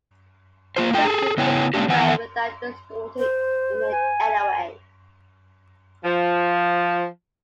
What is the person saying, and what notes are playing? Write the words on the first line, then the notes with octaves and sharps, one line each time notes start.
He transmits this prayer without distorting it in any way.
A#3 F4 C5
A3 F4 G5
G#4 A4
C#3 B3 E4 C#5 G5 G#5
G#3 A#3 C#4 D4 G4
D#3 E3 B3 F#5 G#5
C5
G#5
F3